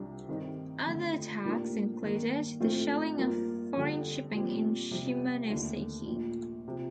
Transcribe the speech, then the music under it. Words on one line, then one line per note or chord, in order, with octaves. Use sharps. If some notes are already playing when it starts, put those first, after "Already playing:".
Other attacks included the shelling of foreign shipping in Shimonoseki.
Already playing: C2 C3 G3 D4 F4
G2 D#3 G3 C4 D#4
F2 D3 F3 A3
A2 F3 A#3 D4 G4
G2 D#3 A#3
A#1 A2 A3 C4 F4
G2 F3 A#3 F4
F2 D3 G3
A#2 G3 C4
F2 C3 G3
D#2 D3 A3 D4
A#1 A#2 A3
C3 F3